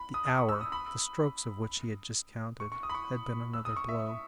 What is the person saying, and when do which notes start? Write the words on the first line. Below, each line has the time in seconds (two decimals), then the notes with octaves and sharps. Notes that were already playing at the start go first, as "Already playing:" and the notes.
The hour, the strokes of which he had just counted, had been another blow.
Already playing: B5
0.14 D#6
0.26 D#6
0.37 C#6
0.49 E6
0.61 D#6
0.72 B5
2.60 C#6
2.72 C#6
2.83 D#6
2.90 B5
2.95 C#6
3.54 E6
3.65 D#6
3.76 C#6
3.89 E5